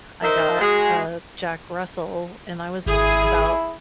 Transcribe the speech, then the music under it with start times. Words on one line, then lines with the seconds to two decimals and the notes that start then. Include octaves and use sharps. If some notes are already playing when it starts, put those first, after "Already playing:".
I got a Jack Russell and I was about,
0.22 D#4 A#4 C5 E5
0.61 G#3 F#4 G#4
2.86 G#1 E4 G#4